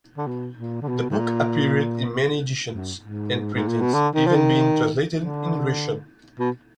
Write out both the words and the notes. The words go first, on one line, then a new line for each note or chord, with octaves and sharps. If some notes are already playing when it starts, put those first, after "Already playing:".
The book appeared in many editions and printings, even being translated in Russian.
D3
B2
A#2
D3
B2
G#2
A#2
F#2
G#2
G#2
A#2
B2
D3
D#3
F3
D#3
D3
B2